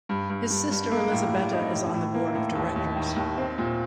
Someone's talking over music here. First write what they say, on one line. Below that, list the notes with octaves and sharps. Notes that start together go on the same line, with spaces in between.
His sister Elisabetta is on the board of directors.
G2
G2
G2
G2
A#3
A2
G3
D#4
A2
A2
A#3
A2
D#2
D#2
D#3
D#2
C4
A#2